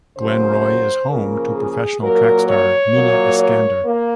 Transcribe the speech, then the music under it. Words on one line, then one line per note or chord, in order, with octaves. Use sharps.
Glenroy is home to professional track star Mina Eskander.
C#3 F#3 A#3 C5
C#3 F3 A#3 A#4
G#4
A#2 F#3 A#3 A#4
C#5
A#2 F#3 A#3
C#5
A#3